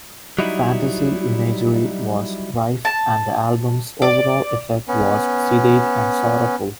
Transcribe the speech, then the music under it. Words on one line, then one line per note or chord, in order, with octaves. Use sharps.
Fantasy imagery was rife and the album's overall effect was sedate and sorrowful.
F#3 G3 D#4 E4
A5
D5
B3 C#4